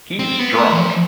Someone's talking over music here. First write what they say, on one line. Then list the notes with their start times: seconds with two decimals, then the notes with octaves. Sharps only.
He’s drunk.
0.19 C4
0.39 B3
0.59 A3
0.72 E3
0.79 F3